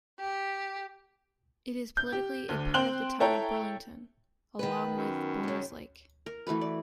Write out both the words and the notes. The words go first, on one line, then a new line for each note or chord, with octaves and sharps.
It is politically a part of the town of Burlington, along with Bohners Lake.
G4
G6
G4
D2 D3
C4 G5 C6 F#6 F#7 G7
E4 A4 C#5 G5 A#5
D#3 B3 B4
F#2
D#2 C#3
A#4
E3 A3 F#4 B4
D5